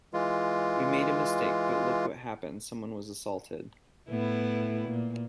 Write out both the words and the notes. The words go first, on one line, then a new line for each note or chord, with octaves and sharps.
We made a mistake but look what happened someone was assaulted.
E3 G#3 F4
A2 B3 E4
A#2